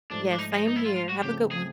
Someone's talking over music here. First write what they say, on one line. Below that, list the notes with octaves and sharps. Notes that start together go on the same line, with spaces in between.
Yes, same here. Have a good one.
G#2 F3 A3 D4
D4
D#4
D#4
D#4
E4
F4
F4
F#4
C#3 F3 A3 C4 G4
G#4